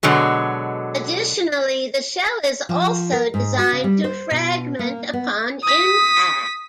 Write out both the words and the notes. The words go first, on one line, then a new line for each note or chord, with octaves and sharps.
Additionally, the shell is also designed to fragment upon impact.
B2 D3 F#3 G#3
F3
A#4
G#2
F#4
C#3
G3
C5
B2
A#3
B3
D#6 B6